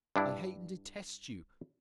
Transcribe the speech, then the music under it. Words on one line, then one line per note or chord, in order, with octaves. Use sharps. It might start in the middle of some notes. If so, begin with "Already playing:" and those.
I hate and detest you!
G2 D4 E4